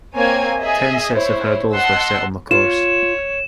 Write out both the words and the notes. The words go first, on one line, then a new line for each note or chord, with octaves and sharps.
Ten sets of hurdles were set on the course.
A#3 C4 C#5 G#5 G#6
G#4 D#5 E5
E4 C5 C#5
D#5 F#5 A5 C6 E6
F4 C#5 E7